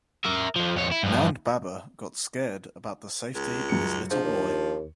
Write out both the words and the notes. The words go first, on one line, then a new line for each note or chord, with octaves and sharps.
Nand baba got scared about the safety of his little boy.
A#4 E5
F2 F3
F2 C#5
E4
G2 F3
C#2
F#2 C#7
G#2 F3 D4
D#2